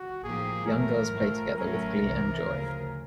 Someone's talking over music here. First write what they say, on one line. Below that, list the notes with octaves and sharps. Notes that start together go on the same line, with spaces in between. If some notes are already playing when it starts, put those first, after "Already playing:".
Young girls play together with glee and joy.
Already playing: F#4
A2 F3 A#3 D#4 G4 G#4
A1 A2 F#3 A3 A#4
A2 F3 A3
A2 F#3 A3 C#4 A#4
C2 C3 E3
D2 C#3 F3